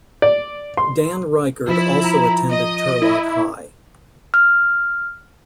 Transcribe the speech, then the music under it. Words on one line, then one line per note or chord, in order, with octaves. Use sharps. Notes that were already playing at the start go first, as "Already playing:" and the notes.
Dan Reichert also attended Turlock High.
D5
C6
F3 E4
A#5
D#5
E4
F6